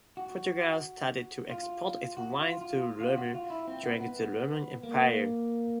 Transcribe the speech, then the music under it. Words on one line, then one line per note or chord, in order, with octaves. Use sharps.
Portugal started to export its wines to Rome during the Roman Empire.
F#4
F4
F#4
F4
F4
F4
F#4
F4
E4
C4
B3
B3
A#3